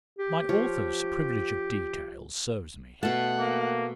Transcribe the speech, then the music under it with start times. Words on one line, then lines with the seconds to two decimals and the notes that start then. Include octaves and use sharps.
My author's privilege of details serves me here.
0.18 G4
0.49 F3 F4 C#5
3.03 B2 A3 F#5 A5
3.39 A#3